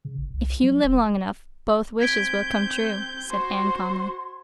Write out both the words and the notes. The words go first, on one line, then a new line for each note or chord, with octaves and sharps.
"If you live long enough both wishes will come true," said Anne calmly.
C#3
G#1
C2
F#3
D#1
C4 G6 G#6 B6 D7
F#4 C5 C6